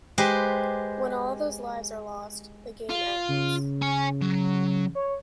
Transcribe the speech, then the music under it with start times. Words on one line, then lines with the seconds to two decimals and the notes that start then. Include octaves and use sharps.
When all of those lives are lost, the game ends.
0.18 G#3 G4 B4 C5
2.89 F4
3.28 C#3
3.82 C#5 G#5
4.22 F#3
4.95 C#5